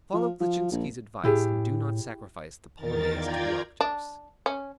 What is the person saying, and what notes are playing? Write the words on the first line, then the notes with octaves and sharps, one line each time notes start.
Follow Kleczynski's advice and do not sacrifice the Polonaise to the octaves.
F3
F3
A#1
A2 E4 G4 G#4
E2 D#3 A#4 A6
F4 D5 G5 A#5 G#6
D4
C#4